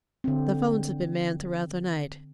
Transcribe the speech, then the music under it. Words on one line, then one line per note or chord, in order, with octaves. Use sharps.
The phones had been manned throughout the night.
D3 C4